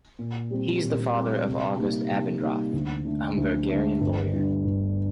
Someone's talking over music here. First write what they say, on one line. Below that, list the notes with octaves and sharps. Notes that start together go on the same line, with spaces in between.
He is the father of August Abendroth, a Hamburgian lawyer.
A#2
G3 C4
A#2
G3 C4
C3
G3 A#3 D#4
C3
G3 A#3 D#4
D2
D3 A3
D2
D3 A3
G1
G2 D3
G1